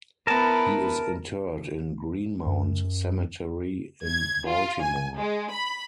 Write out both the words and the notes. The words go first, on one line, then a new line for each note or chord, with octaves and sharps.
He is interred in Greenmount Cemetery in Baltimore.
B3 E4 A#4 A5
F#2
G#6
F4
G#5
G#3
B5